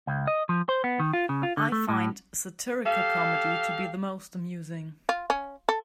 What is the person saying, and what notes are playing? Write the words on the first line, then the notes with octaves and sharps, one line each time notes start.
I find satirical comedy to be the most amusing.
C#2
D#5
F3
C5
B3
D#3
F4
C#3
F4
D3
A3
A2
G4 A4 F5
F4
C#4
A4